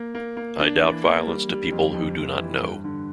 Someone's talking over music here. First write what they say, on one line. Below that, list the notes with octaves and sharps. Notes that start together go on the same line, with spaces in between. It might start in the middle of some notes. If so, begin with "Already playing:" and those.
I doubt violence to people who do not know.
Already playing: A#3
A#3
A#3
D4
E3
A#3
G3
G3
F2
F2
F2
E3
G2
D3